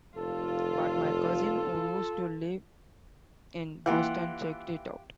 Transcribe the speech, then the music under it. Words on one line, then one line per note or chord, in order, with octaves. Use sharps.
But, my cousin, who used to live in Boston, checked it out.
F1 F4 A4
E3 A#3 E4 F4 G4 F#5 F#6